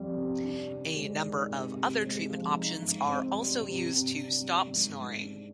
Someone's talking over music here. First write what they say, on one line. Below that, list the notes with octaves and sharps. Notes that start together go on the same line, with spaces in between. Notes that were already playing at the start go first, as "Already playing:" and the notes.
A number of other treatment options are also used to stop snoring.
Already playing: F2 G3 C4
C3
D4
C3
G#3
D#3
C3
C3
G#3
F3
D#4
G#2
C4
G3
C3
C3
D4
G3
G#2
G#2
D4